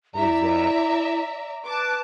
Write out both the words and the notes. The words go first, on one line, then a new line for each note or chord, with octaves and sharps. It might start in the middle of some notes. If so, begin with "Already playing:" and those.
it was that.
E4 D5 E5 A#5
B4 A5 D6